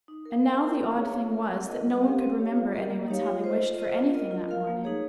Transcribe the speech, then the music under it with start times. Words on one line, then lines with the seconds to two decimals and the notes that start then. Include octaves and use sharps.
And now the odd thing was that no one could remember anyone's having wished for anything that morning.
0.08 D#4
0.25 A#4
0.30 F5
0.44 C4
0.61 F4 A#4
0.79 C#4
0.97 G#4 C#5 F5
1.15 F4
1.32 A#4 C#5
1.50 C4
1.67 F4 A#4 D#5
1.85 G3
2.02 C4 G4 A#4 F5
2.20 C4
2.38 G4 C#5 F5
2.55 F4
2.73 A#4 D#5
2.90 A#3
3.08 D#4 G4 C#5 F5
3.26 F4
3.44 C5 D#5
3.61 F4
3.78 C5 D#5
3.96 F4
4.13 A#4 D#5
4.31 F4
4.49 A#4 F5
4.67 A#3
4.84 D#4 G#4 C#5